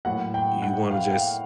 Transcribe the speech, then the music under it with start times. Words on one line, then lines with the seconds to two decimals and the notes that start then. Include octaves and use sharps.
You wanna just
0.05 A2 F#3 A#3 F#5
0.34 G5
0.62 F#5
0.91 F5
1.11 F5